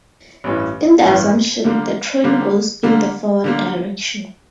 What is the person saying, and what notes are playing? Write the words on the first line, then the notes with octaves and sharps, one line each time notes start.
In the assumption the train goes in the forward direction.
A1 G2 E3
A1 G2 E3
D3 G3 A#3
D3 G3 A#3
D3 G3 A#3
D3 G3 A#3